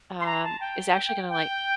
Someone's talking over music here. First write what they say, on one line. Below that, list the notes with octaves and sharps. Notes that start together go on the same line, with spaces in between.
um, is actually gonna, like
C6
A#5
A5
G5
G5